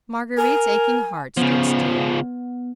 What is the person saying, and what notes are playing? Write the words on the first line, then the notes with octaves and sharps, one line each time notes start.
Marguerite's aching heart stood still.
A#4 G#5
C#3 F3 B3